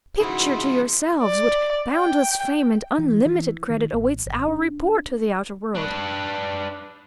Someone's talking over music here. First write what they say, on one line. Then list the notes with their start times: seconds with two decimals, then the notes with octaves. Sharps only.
Picture to yourselves what boundless fame and unlimited credit awaits our report to the outer world!
0.20 G#2 C#3 F3 D#4 E4 F#4 G#4 F#5
1.22 D5
1.95 G5
2.98 E3
3.25 E3
3.70 D#3
3.93 A1
4.26 G#1
4.48 D4
5.75 D4 B4